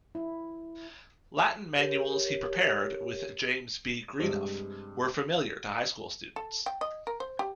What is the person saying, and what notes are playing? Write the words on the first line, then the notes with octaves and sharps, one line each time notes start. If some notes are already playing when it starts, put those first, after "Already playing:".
Latin manuals he prepared with James B. Greenough were familiar to high school students.
E4
G4 A#4 C#5
G2 C3 G#3 C5
A4
G5
D#5
A#4
C5
G4